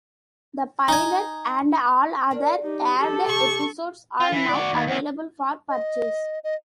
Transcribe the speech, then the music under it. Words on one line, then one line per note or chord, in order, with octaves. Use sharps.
The pilot and all other aired episodes are now available for purchase.
D#4 G#5
D4 A#4
D#4 G4
G4 A4
C3 C#6
F4
E3
F#4 D5
D#2
E2 E3
D#5
D#5